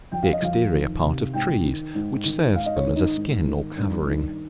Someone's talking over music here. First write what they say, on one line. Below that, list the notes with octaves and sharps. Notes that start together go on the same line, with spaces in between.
The exterior part of trees, which serves them as a skin or covering.
F2 G5
F5
D#5
F2 F5
D#3
C3
G#2 G5
D#3
G#2
D#3
G#2 F5
D#5
C#5
D#3
D#4
G#2
D#3
G2
D#3